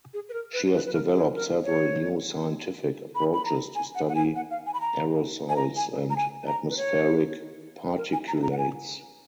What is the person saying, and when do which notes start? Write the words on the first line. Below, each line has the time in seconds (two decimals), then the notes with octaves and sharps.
She has developed several new scientific approaches to study aerosols and atmospheric particulates.
0.13 G#4
0.29 B4
0.33 A#4
0.53 B4
0.74 B4
0.86 B4
0.93 A#4
1.14 G#4
1.34 A#4
1.64 C#5
3.15 B5
3.33 B5
3.45 A#5
3.75 G#5
3.95 F#5
4.09 F#5
4.15 G#5
4.36 F#5
4.50 F5
4.66 G#5
4.73 B5
4.81 A#5
5.49 G#5
5.56 A#5
5.76 G#5
6.10 A#5
6.16 G#5
6.47 A#5
6.69 B4
6.77 C#5
7.97 A#4
8.13 G#5
8.27 A#5
8.42 A#5
8.52 F#5
8.58 G#5